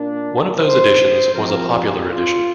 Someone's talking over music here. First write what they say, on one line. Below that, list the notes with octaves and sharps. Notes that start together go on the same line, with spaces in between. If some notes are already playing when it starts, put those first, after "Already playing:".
One of those editions was a Popular edition.
Already playing: A#2 A#3 D4
C5
F3 C4 A#4
G4
F4